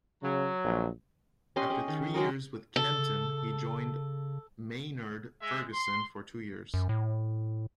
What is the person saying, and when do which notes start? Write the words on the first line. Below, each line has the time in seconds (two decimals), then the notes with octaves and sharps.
After three years with Kenton he joined Maynard Ferguson for two years.
0.23 C#3 F#3
0.64 A#1
1.56 C#4 G4 D#5 C6
1.70 C#4 G#4
1.88 D#3
2.14 F#3 G#3 G#4 A#4
2.76 C#3 A4
5.41 G#3 E5
5.73 C6
6.74 F#2
6.89 A2